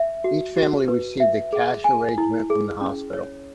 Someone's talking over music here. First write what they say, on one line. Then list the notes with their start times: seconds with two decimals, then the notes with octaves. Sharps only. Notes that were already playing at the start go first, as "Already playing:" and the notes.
Each family received a cash arrangement from the hospital.
Already playing: E5
0.24 F#4
0.57 F#4
0.88 B4
1.20 E5
1.53 G#4
1.84 G#5
2.18 E4
2.50 G#4
2.81 C#4
3.13 C#5